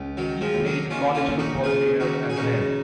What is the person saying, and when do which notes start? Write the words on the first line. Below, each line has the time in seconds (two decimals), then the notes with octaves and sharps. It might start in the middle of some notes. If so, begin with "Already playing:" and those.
He played college football there as an end.
Already playing: C#2
0.17 D#3 F#3
0.41 F3 G#3
0.53 D#2
0.66 F#3 A#3
0.90 D#3 C#4 F4
1.15 C#4 F4
1.27 D#2
1.39 D#4 F#4
1.64 C#3 F4 G#4
2.00 D#2 D#4 F#4
2.30 G#4
2.36 C#3 D#4 F#4